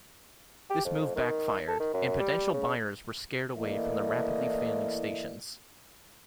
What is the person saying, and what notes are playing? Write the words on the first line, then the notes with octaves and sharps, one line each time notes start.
This move backfired, and potential buyers were scared away from the rapidly failing stations.
G4
F2
D#3
A4
D#3
F#2
G3
C#3
E3 A3 A#3 E4 D5 D#5